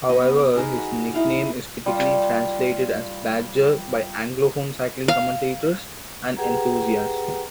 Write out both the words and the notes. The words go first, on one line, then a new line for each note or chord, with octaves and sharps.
However, his nickname is typically translated as "badger" by Anglophone cycling commentators and enthusiasts.
B3 D#5
D6
D#4 G#4 A#4 B4
F#4
D#4 E4 F5
G3 F4
F5
G4 G#4 B4 F#5 G5 A#5